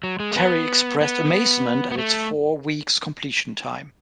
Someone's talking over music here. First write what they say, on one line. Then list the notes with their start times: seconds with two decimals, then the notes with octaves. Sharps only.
Terry expressed amazement at its four weeks completion time.
0.04 F#3
0.20 G#3
0.31 A3
0.36 B3
1.01 B3
1.92 B3
1.98 A3